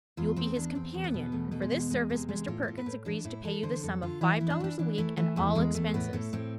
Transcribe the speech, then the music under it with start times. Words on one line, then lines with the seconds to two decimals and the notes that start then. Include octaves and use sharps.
You will be his companion, and for this service Mr. Perkins agrees to pay you the sum of five dollars a week and all expenses.
0.17 E2 F4
0.36 E2 C4
0.55 E2 D4
0.75 E2 C4
0.94 E2
1.04 B3
1.14 B2
1.32 E2 A3
1.51 B2 A3
1.62 G#3
1.71 E2
1.90 E2 G#3
2.10 C3 G#3
2.29 E2 G#3
2.48 A2 F4
2.63 F4
2.68 A2
2.77 B4
2.86 A2
3.05 E3 D4
3.25 A2 E4
3.44 E3 A4
3.63 D3 C5
3.83 F2 A4
4.02 D3 F4
4.21 E3 E4
4.36 E3 E4
4.47 C4
4.50 D4
4.60 E3 D4
4.79 E3 D4
4.98 E3 A3
5.17 E3 A3
5.36 E2 A3
5.55 E2 G#3
5.74 E2 A3
5.94 A2 B3
6.13 A2 A3
6.33 A2 C4